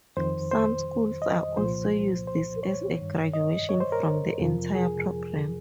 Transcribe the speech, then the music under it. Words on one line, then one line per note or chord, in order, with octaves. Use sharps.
Some schools also use this as a graduation from the entire program.
F2 D#3 C5
C5
D#5
C2 A#2 F3 C5
C5
C#5
G2 D#3
D#5
C#5
C5
A#4
F2 C3 F3
G#4